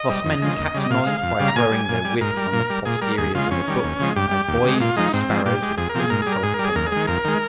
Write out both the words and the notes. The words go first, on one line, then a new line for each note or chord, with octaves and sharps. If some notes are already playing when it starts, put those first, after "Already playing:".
Thus men catch knowledge by throwing their wit on the posteriors of a book, as boys do sparrows with flinging salt upon their tails.
Already playing: D#5
G3
F2
C#3 F3 G#3
D#2
C#3 G3
D#5
A#2 F5
G#3
F2
C#3 G3
A#5
A#2 G#5
G3
A#2
G3
G#2 A#4
G3
A#2
G3
A#2 G#4
G3 A#4
D#2 G#4
C#3 G#3 F4
F2 C#4
D#3 G3
D#2
C#3 F3 G#3
G2 G4
G3
D#2
C#3 G#3
A#2 F4
F3 G#3 D#4
G#2 C4
F3 G#3
A#2 G4
G#3
F2 G#4
A#4
C3 F3 G#4
G#2 A#4
G3 G#4
A#4
G#2 G#4
A#4
G3
G#4
D#2 A#4
G#4
D#3 G#3
F2 A#4
D#3 G#3